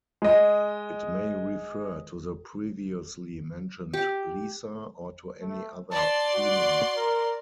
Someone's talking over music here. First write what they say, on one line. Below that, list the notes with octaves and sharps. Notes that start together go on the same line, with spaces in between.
It may refer to the previously mentioned "Lisa" or to any other female.
G#3 D#5
G4
A3
D5 A5 C6
F#4
A#4